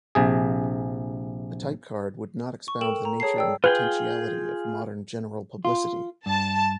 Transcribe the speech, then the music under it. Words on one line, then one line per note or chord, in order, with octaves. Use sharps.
A type card would not expound the nature and potentiality of modern general publicity.
A#1 C3 G#4
C#6
A4 A#4 G5 E7 F#7
A#5
G#4 C#5 A5 C7
D5 G5 E6
F4 G#4 B4 G5
F4
G2 A5